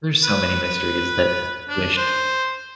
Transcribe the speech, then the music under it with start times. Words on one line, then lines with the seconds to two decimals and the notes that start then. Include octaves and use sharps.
There's so many mysteries that I wish
0.23 B4
0.63 B4
1.69 D4
1.97 C5